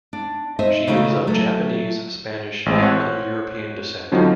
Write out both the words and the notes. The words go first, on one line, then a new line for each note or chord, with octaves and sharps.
She is of Japanese, Spanish, and other European descent.
D4
D#4 C5 D#5 E5
C#3 E3 A3 D#4 F#4 G#4
F#3 A3
A1 G#3 C4
C5 C#5 F#5
D3 F3 F#3 C4 C#4 D#4